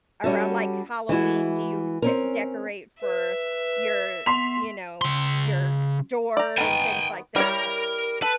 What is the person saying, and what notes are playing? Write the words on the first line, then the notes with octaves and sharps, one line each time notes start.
around, like, Halloween? Do you de decorate for your, you know, your door and things like that?
G3 C#4 F#4 A4
E3 G#3 E4 F#4
C4 C#4 A#4
B4 E5
B3 C6 B6 F7
C#3 C6
D5 A#5
D#3 B3 G5 G#5
G3 E4 A#4 C#5
A4 B4